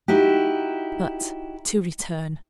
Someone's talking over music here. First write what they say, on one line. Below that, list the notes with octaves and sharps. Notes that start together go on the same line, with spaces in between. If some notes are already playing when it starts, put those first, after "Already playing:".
But to return.
D#4 E4 F#4 G4